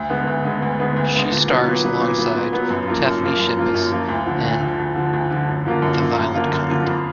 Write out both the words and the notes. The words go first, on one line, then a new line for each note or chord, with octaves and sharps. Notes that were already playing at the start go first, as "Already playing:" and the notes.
She stars alongside Tiffany Shepis in "The Violent Kind".
Already playing: D2
D3 G#3 B3
D2
D3 G#3 B3
D2
D3 G#3 B3
D2
D3 G#3 B3
A#2
F#3 B3
A#2
F#3 B3
A#2
F#3 B3
A#2
F#3 B3
F#2
F3 A#3 F4
F#2
F3 A#3 F4
F#2
F3 A#3 F4
F#2
F3 A#3 F4
D2
D3 F3
D2
D3 F3
D2
D3 F3
D2
D3 F3
F#2
D3 F3 A#3 F4
F#2
D3 F3 A#3 F4
F#2
D3 F3 A#3 F4
F#2
D3 F3 A#3 F4
F2